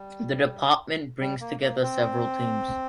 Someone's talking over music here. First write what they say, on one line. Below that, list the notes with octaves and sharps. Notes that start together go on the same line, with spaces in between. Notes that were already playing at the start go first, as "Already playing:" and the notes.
The department brings together several teams.
Already playing: G3
G3
A#3
A#3
C4